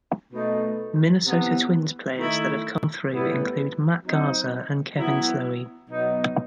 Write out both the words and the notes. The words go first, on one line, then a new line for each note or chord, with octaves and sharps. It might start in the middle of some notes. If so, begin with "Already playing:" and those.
Minnesota Twins players that have come through include Matt Garza and Kevin Slowey.
B2 A3 D#4
C3 E3 B3
D#3 A3 E4
A2 G3 B3 E4
F#3 C4 D#4
F#3 B3 E4
B2 F#3 B3 D#4